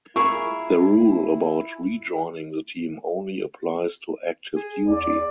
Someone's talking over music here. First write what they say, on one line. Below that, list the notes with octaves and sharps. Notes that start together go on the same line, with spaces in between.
The rule about rejoining the team only applies to active duty.
E4 F4 G#4 A#4 E5 B5 C#6
G#4
E2 D5